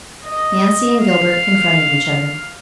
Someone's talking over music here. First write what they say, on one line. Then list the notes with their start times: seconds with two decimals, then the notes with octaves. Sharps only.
Nancy and Gilbert confronted each other.
0.24 D#5
1.01 F5